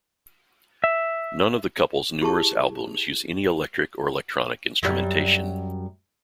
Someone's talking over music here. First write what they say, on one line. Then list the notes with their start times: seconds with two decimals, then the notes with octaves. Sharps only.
None of the couple's numerous albums use any electric or electronic instrumentation.
0.84 E5
2.21 E4 G4 G#4 A5 C#6
4.83 F#2 G3